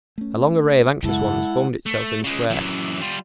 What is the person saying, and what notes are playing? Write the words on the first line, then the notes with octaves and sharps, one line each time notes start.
A long array of anxious ones formed itself in the square.
A3 C#4
F#2 C#3 G#3 E4 A4 F#5
A3
C#3 G#3
F#2 E3
G3 F4